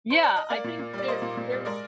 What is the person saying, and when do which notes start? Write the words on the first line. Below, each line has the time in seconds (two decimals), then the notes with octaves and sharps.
yeah, I think there there's
0.10 C5
0.23 D5
0.36 D#5
0.50 A#3 D5 F5
0.64 A#2
0.79 A#2
0.93 G3 D5
1.08 A#3 C5 D#5
1.22 A#2
1.37 A#2
1.52 G3
1.65 G#3 A#4 D5